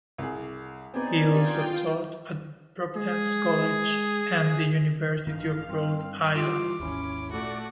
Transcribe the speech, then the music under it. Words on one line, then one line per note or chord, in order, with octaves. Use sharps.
He also taught at Providence College and the University of Rhode Island.
C2 G#4
B3 C4 D#4 D5 G#5
D4 F4 G4 G5
G#3 G#4
A1 G2 D#3 E3 F5
G2 C4
E3 G3 F4 D6
G#1 D#2 C#4 E4
A#2 A3 F#4 D5